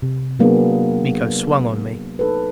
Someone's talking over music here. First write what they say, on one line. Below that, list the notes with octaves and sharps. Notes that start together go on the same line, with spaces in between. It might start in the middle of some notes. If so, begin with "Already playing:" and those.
Miko swung on me.
C3
F#3 A#3 B3 D4 G#4
D#4 A4 B4